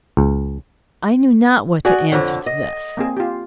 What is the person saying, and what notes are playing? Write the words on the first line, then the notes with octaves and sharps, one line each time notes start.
I knew not what to answer to this.
C#2
F#4 G#4 D5 G#5
F2 D3 C#5
D#5
A#3 C4 G#4
F4 G4